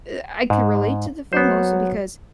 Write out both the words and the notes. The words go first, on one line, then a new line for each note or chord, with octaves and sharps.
eh, I can relate to the film mostly because
G#2
F#3 B3 C5